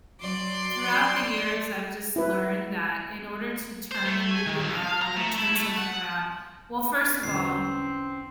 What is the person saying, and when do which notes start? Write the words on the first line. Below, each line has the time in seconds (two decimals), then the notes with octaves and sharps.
throughout the years, I've just learned that in order to turn a mood around or turn something around Well, first of all,
0.21 F#3 D5 C6
2.16 E4 B4
3.92 C5
4.06 A3
4.31 G#5
4.47 D#3
4.61 C2
4.76 F5
5.02 A#5
5.17 A3
5.39 E4
5.56 A3
5.78 F#5
7.23 E2 D3 C4 C#4 C7